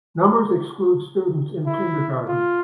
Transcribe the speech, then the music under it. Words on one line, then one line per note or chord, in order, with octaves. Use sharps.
Numbers exclude students in kindergarten.
E4
F4